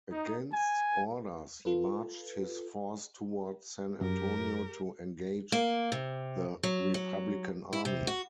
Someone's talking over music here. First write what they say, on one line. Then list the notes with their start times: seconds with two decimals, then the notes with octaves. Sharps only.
Against orders, he marched his force toward San Antonio to engage the Republican Army.
0.12 D#4
0.53 G#5
1.65 F4 A4 B4
4.01 F#2 G4 A#4
5.52 A#3
5.92 C3
6.63 F#3
6.94 F#3
7.73 E4
7.85 C3
8.07 F#4